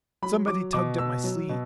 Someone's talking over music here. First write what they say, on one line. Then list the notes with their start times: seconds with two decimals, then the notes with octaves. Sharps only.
Somebody tugged at my sleeve.
0.22 F#3 B5
0.48 F#3 D6
0.73 B2 D6
0.98 B2 E6
1.24 F#3
1.49 B2